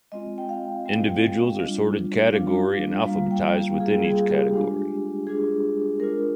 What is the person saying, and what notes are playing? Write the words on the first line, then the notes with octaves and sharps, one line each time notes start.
Individuals are sorted by category and alphabetized within each category.
G#3 C4 F4 D#5
G5
F5
G#3 C4 F4
G3 D4 F4
G3 D4 F4 F5
G3 A#3 F4 F5
G5
F5
G3 A#3 F4 G#4
G#4
G4
G#3 D4 F4
G#3 D4 F4 G#4
G#3 D4 F4 A#4